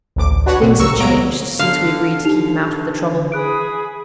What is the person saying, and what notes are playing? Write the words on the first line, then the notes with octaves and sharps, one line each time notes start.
Things have changed since we agreed to keep him out of the trouble.
A1 D2 D6
D4 F#4 B4 C#5 F#5
A#2 C4
C#2 A#4 C#6 E6
G#3 A#3 B3 C#5 A#5 D7
D3 F5
D#4 G4 F7
G#4 B5 D#6 F#6 D7